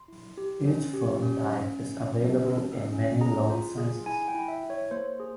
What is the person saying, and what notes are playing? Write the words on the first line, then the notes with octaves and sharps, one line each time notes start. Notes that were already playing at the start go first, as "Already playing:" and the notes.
Each film type is available in many load sizes.
Already playing: C6
E4
G4
C#4
G4
C#4
C#4
C#4
C#4
C#4
C#4
C#4
G#4 A#5
F4
G#4
E4 G#5
G5
E4
E5
E4
C#5
A#3 C5
G#4